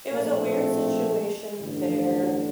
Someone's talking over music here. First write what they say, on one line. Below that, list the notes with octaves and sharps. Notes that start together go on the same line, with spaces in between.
it was a weird situation there
A#1 A2 F3 A3 A#3
C4
A1 G2 D3